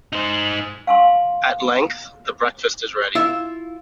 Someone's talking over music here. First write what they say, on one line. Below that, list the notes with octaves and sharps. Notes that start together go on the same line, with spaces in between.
At length the breakfast is ready.
D#4 C5
F5 G#5 C6
E4 F4 E5